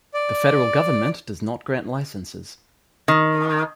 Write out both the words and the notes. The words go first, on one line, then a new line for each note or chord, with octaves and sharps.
The federal government does not grant licenses.
D5
D#3